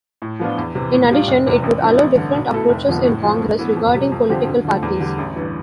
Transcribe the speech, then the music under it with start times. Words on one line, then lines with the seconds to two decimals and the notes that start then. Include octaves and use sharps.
In addition, it would allow different approaches in congress, regarding political parties.
0.22 A2
0.39 F3 B3 D4 F4
0.58 E2
0.75 C3 E3
0.93 A2
1.11 G3 D4 F4
1.28 F1
1.47 E2 C3
1.63 A1
1.82 G2 F3 C4 E4
1.99 A1
2.17 G2 D3
2.34 B1
2.52 B2 A3 E4 A4
2.69 F1
2.88 F2 D3 F3 B3
3.05 A2
3.24 F3 C4
3.41 G2
3.59 E3 B3
3.77 F2
3.95 C3 G3
4.12 F2
4.29 D3 F3 C4 G4
4.47 D2
4.65 D3 F3 A3
4.82 E2
5.00 D3 G3
5.18 A1
5.36 G2 E3